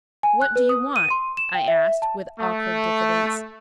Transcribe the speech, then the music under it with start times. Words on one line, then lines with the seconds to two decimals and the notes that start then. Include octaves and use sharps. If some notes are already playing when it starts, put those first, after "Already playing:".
"What do you want?" I asked, with awkward diffidence.
0.23 G#5
0.42 F#6
0.56 B4
0.69 D#6
0.96 D#7
1.10 C6
1.37 E7
1.55 G5
1.68 E5
2.02 A5
2.40 A3